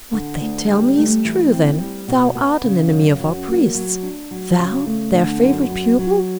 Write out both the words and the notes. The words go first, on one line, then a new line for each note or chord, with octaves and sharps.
"What they tell me is true then, thou art an enemy of our priests. Thou, their favorite pupil!"
D3
D2
G3
A3
E3
C4
G3
B2
B3
C#3
F#2
F#3
A#3
F#3
D4
F#3
C#3
A3
D3
F#2
F#3
F#3